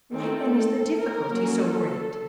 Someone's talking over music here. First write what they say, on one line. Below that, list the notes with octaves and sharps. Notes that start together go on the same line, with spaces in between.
"Why then is the difficulty so great?"
D#3 A3 C4 A4
A#4
F#3 A#3 C#4
A4